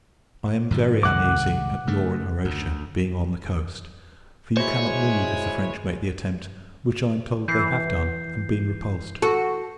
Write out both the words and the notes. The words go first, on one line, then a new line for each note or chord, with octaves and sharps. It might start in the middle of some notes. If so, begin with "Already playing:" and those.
I am very uneasy at your and Horatia being on the coast: for you cannot move, if the French make the attempt; which, I am told, they have done, and been repulsed.
G#2 D3 F3
C2 D#3 G#3 F#5 D6
C#3 A3
D2
G#3 E4 F#4 C5 C#5
E3 G6 C7
F#4 A4